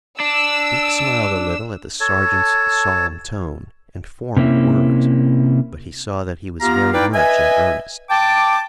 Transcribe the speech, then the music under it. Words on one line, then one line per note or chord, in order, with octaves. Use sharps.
Dick smiled a little at the sergeant's solemn tone, and formal words, but he saw that he was very much in earnest.
D4 E6
A4 C#5 A5
C3 A#3 C#4 E4
B3 F4 G4 F5 A#5
D#4 E4 B4 D5 F5 G5
B4 D#5 E5 G#5
G5 A5 D6